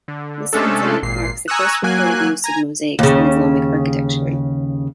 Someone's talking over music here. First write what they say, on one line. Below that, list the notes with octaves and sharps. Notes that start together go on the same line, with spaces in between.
This incident marks the first recorded use of mosaics in Islamic architecture.
D3
C3 G#3 A3 C#4 D4 A4
G#1 A#2 C7
G#5 A#5 C#6 D#6 E6 F#6
F#3 A#3 G#5 F#6
G#5 A#5
D#2 C#3